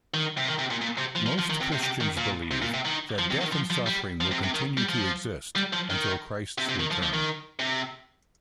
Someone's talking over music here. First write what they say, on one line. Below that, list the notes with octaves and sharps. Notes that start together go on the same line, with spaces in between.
Most Christians believe that death and suffering will continue to exist until Christ's return.
D#3
C3
D#3
C3
A#2
A#2
C3
F3
F3
F3
D#3
C3
C3
C3
D#3
A#2
C3
A#2
C3
D#3
F3
C3
D#3
F3
F3
G3
F3
C3
C3
D#3
G3
F3
G3
F3
D#3
C3
C3
D#3
F3
F3
D#3
C3